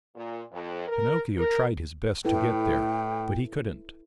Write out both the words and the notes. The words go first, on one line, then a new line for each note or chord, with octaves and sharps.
Pinocchio tried his best to get there, but he couldn't.
A#2
F2
A#4
A#4
A2 E4 A4 B4 G5